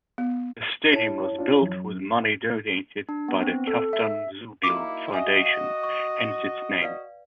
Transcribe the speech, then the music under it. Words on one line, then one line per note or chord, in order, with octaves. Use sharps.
The stadium was built with money donated by the Kaftanzoglou Foundation, hence its name.
B3
E4 C#5 A5
D4 F4
F#2
D4
B3
C4
A4
E5
A#3 D#4 E4 F#4 D6
F#4 D#5 E5 G#5
F5
C#6
B4 D5 F5